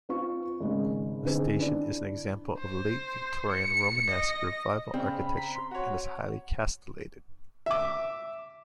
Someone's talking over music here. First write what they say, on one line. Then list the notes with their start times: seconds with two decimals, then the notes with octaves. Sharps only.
The station is an example of late-Victorian Romanesque Revival architecture and is highly castellated.
0.09 C4 F4 C#6
0.60 G#1 C#3 G#3
1.25 D3 D#3 C4 G#4
1.59 D4 E4 D5
2.59 C5
3.52 C#7
4.11 D#5
4.94 C#3 C4 D5
5.06 B5
5.37 A#5 B6
5.55 C6
5.71 F#4 C#5 F#5
7.66 E5 D6